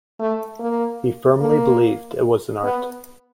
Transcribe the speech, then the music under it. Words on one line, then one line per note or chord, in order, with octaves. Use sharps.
He firmly believed it was an art.
A3
A#3
A#3
B3